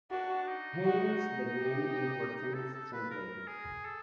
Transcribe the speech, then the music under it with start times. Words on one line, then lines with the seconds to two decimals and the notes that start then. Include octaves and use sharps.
Hence the name importance sampling.
0.11 D4 F#4
0.48 D#4
0.85 F#4
1.61 G4
2.36 D#4
2.54 A4
2.74 A4
2.92 B4
3.11 A#4
3.48 G#4
3.86 A4